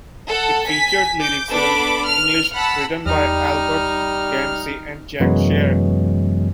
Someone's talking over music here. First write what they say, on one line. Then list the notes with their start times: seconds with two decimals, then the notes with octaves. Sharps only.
It featured lyrics in English written by Albert Gamse and Jack Sherr.
0.27 A4 F#5
0.65 G#5 B6
1.20 D6 G6
1.50 B3 D4 A4 B5 D6
2.07 F6
2.54 F#5 A5 B5 E6
3.06 E2 G3 D#4 F6
5.20 F#2 C3 E3 F#3 G#3 B3